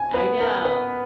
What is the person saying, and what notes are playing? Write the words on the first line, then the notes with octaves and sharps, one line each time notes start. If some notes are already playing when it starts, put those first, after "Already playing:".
I know
Already playing: G#5
B3 B4
A#4
B4